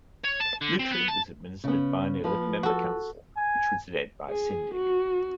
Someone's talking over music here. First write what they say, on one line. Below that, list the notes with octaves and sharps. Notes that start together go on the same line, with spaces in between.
Lutry was administered by an eleven-member council which was led by a Syndic.
C#5
A5
D3
C4
B3
A5
C#3 B3
F3 B4
F#4 A4
G#5
G#4
F#4